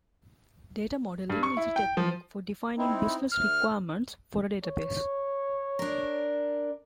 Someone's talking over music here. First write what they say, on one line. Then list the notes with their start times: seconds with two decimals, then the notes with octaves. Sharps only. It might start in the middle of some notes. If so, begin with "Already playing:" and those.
Data modeling is a technique for defining business requirements for a database.
1.30 G2
1.43 C#6
1.57 E4
1.76 G5
1.97 F3
2.78 C4 D#4 E4
3.32 D2 F6
4.64 C#5
5.79 D4 A#4